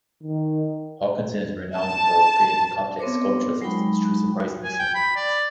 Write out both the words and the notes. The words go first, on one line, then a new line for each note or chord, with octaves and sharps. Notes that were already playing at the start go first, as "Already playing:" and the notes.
Hawkinson is renowned for creating complex sculptural systems through surprisingly simple means.
D#3
A5
B3 C4 A#4 C5 C#5 D6
F#3 G#3 D#4 G5 B5
G#5
G5
B5
D5